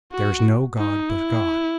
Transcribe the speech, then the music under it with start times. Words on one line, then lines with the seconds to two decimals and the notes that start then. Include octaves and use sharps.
There is no god but God.
0.12 F#4
0.78 D#4
1.10 E4